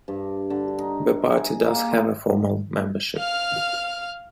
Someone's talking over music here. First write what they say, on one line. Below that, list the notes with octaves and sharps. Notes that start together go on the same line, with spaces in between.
The party does have a formal membership.
G2
D3
D#4
G#4
A#3
C6
F5 F6